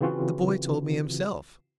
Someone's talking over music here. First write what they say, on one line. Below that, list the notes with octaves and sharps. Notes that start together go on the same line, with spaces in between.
The boy told me himself.
C#3 E3 C4 F4 F#4